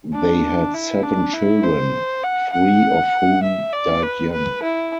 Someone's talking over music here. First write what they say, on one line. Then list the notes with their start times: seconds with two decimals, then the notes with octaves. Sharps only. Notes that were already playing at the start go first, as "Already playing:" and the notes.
They had seven children, three of whom died young.
0.13 D4
0.74 E4
1.03 D4
1.33 E4
1.63 C5
2.23 F#5
2.53 F#5
3.43 E5
3.73 D5
4.03 B4
4.32 B4
4.63 E4